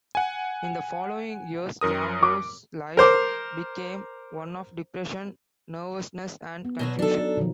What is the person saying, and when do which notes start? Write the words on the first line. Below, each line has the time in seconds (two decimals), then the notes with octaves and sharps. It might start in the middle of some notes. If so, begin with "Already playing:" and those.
In the following years, Longo's life became one of "depression, nervousness, and confusion".
0.15 F#5 G#5
1.81 F#2 A#4 D#6
2.23 D6
2.97 A#4 C5 D6
6.65 B3
6.79 B2 F#3 F#4
6.99 F#3 D4 D#4 A4
7.37 B2 D#3 F3